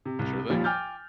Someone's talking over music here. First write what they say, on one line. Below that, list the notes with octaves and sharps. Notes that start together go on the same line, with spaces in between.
Sure thing.
C3
C2
D#2 A#2 F3 G3
G5 G#5 D6 F6 G6 A6